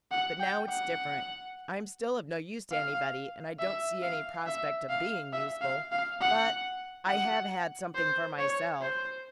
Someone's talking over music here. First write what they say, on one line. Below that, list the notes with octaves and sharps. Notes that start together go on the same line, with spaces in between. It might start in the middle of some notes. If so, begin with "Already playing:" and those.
But now it's different--I'm still of no use to anybody, and I don't see any prospect of being useful, but I have had something for myself.
F#5
G5
F#5
F5
E5
F5
E5
F5
E5
F5
F5
F#5
F#5
C5
C#5
C5